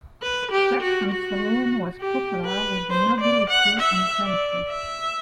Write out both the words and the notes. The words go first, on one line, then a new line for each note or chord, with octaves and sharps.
Jackson's Saloon was popular with the nobility and gentry.
B4
G4
F#4
F#4
G4
B4
C5
D5
F#5
E5
D5
E5